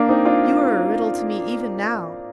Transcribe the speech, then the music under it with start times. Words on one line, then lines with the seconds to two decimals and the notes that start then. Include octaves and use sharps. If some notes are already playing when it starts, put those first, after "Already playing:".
You are a riddle to me even now.
Already playing: A#3 D4
0.09 C4 D#4
0.25 D4 F4